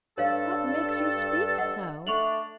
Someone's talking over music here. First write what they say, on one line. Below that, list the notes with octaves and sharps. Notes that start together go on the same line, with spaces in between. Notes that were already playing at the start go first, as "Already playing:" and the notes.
What makes you speak so?
G2 A4 C#5 F5
D#5 F#5
A3 D4 C#6 F7 F#7